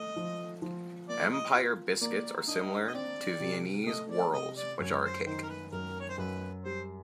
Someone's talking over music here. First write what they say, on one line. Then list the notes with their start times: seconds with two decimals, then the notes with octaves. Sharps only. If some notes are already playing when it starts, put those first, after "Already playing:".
Empire biscuits are similar to Viennese Whirls which are a cake.
Already playing: A3 D#5
0.16 F3
0.62 F3
1.09 A#3 D5
1.32 D#5
1.55 F4
2.01 A#3 D5
2.47 D4 D#5
2.87 D#5
2.94 C4 D5
3.40 C3
3.86 A3 D#5
4.10 D5
4.33 C3 D#5
4.57 D5
4.79 F#2 C#5
5.03 C5
5.26 D#3 C5
5.43 A#4
5.49 B4
5.72 F#2 A#4
6.00 C#5
6.09 C5
6.18 F#2 B4
6.64 G3 C5